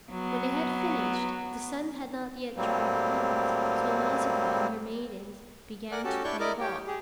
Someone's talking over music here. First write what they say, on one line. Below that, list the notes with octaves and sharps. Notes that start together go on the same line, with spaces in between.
When they had finished, the sun had not yet dried the clothes, so Nausicaa and her maidens began to play ball.
F#3 B3
A2 F#3 G3 A#3 C4
A#4 D5 F#5 G#5 F#6
C#4 F#4 G4 A4 A5
D4 E4 C#5 D5 C#6 G6
E4 A#4 D5 D#5 D6
G4 C#5 G5
G4 G#4